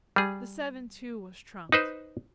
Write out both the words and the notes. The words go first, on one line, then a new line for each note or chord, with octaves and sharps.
The seven too was trumped.
G3 G#4
D#4 B4 C5